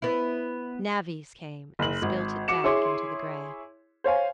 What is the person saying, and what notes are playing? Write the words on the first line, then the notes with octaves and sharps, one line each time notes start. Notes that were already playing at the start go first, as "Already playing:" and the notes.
Navvies came, and spilt it back into the grey.
B3 E4
F#1 F#7
G#1
F#4 D6 C#7 E7
E4 G#4 C#5 C6 D6
C5 C#5 F5 G#5